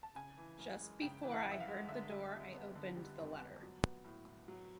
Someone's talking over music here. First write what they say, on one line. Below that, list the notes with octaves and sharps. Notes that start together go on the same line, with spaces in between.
Just before I heard the door, I opened the letter.
A5
C#3 G#5
E3
F#2
G#3
C#3 G5
E3
F#5
F#2
E5
F5
G#3
D3 E5
G3
F2
B3
D3
G3
F2
B3
F#3
B3
A2
A2
F#3